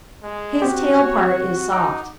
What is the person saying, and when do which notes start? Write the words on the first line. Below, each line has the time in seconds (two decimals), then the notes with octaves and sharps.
His tail part is soft.
0.23 G#3
0.62 C4 F#4 G4
0.95 C#5
1.72 D#4 F#5 A#5 D6